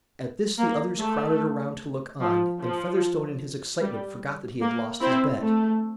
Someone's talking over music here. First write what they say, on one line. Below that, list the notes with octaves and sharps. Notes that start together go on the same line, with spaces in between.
At this the others crowded around to look on, and Featherstone in his excitement forgot that he had lost his bet.
A#3
A3
F3
F3
G3
A#3
C4 E4
A3